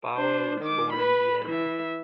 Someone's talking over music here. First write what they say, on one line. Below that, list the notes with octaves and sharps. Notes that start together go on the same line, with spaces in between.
Bauer was born in Vienna.
D4 C5
D#3 D6
B4 B5
E3 E5